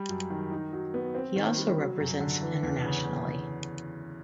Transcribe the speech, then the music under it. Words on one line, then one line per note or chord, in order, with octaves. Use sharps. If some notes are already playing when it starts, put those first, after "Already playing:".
He also represents internationally.
Already playing: G3
F#2
D#3
D#4
F#3
B3
C4
D#3
G3
F#3
F#2
D3
E3
E2
C#3